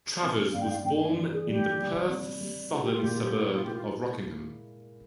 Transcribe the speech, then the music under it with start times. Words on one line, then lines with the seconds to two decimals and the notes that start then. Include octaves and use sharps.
Travers was born in the Perth southern suburb of Rockingham.
0.22 C4 G#5
0.53 G2 F5
0.61 G5
0.69 F5
0.84 G2 G5
1.00 G#5
1.16 E3
1.31 G#4
1.47 G3 G4
1.78 G3
2.09 C4
2.41 G3
2.72 G#3 F4
2.82 G4
2.91 F4
3.02 A#2 G4
3.12 F4
3.23 G4
3.33 E4 F4
3.43 G4
3.53 F4
3.63 G#3 G4
3.73 F4